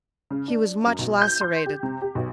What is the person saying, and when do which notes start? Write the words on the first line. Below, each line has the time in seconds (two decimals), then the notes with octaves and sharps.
He was much lacerated.
0.31 C#3
0.48 D4
0.86 F#2
0.99 B1
1.22 G6
1.41 C6
1.66 G4
1.83 C3
2.02 G4
2.15 B1